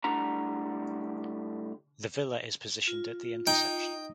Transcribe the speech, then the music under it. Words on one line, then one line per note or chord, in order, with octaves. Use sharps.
The villa is positioned at the intersection.
A2 G3 D4 F#5 A#5
F4
D#4 G5